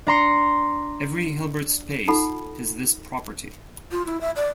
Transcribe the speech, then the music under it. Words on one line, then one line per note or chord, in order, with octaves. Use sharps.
Every Hilbert space has this property.
D4 A#5 C6 C#7
D#4 F4 A4 F#5 B5
F4
E4
E5
D5